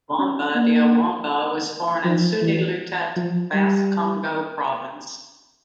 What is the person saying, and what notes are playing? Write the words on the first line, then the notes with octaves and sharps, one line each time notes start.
Wamba dia Wamba was born in Sundi-Lutete, Bas-Congo Province.
C#4
A#3
F3
E3
F3
G3